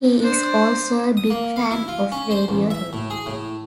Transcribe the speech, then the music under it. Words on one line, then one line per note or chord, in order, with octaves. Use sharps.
He is also a big fan of Radiohead.
D4 C5
D#6
A#3
F5
E4
F4
C#4
C5
A1
E5
A2
G#4
A2